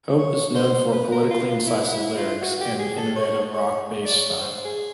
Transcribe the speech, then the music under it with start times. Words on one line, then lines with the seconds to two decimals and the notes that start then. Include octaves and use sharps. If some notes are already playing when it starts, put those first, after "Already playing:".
Hope is known for politically incisive lyrics and an innovative rock-based style.
0.18 C#5
0.55 C5
0.92 B4
1.12 A#4
1.30 F4
1.49 F4
1.67 E4
1.92 E4
2.17 F4
2.42 F#4
2.60 G4
2.79 G#4
2.97 A4
3.16 C#5
3.54 C#5
4.05 D5
4.15 C#5
4.40 C5
4.65 G#4